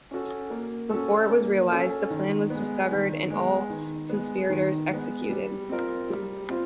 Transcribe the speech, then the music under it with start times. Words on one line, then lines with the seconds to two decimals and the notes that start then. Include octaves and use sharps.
Before it was realized, the plan was discovered and all conspirators executed.
0.11 C#4 F#4 A4
0.50 A#3
0.90 C#4 F#4 A4
1.31 A#3
1.71 C#4 F#4 A4
2.10 D#3
2.50 G#3 B3
2.91 D#3
3.30 G#3 B3
3.70 D#3
4.10 G#3 B3
4.49 D#3
4.90 G#3 B3
5.30 G3
5.69 C4 F4 A#4
6.10 G3
6.49 C4 F4